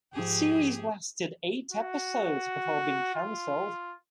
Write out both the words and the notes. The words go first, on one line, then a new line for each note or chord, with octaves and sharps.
The series lasted eight episodes before being canceled.
G#2 F3 G4 G#4
F#4
F4